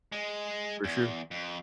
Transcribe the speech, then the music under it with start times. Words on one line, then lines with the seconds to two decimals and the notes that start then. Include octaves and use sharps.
For sure.
0.12 G#3
0.84 E2
1.31 F2